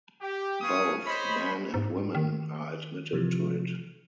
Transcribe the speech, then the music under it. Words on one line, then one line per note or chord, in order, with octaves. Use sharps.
Both men and women are admitted to it.
G4
G#4 B4 F5 C#6 D#6
C5 C#5 D#5 B5
G#2
D#3
C3 E3 F3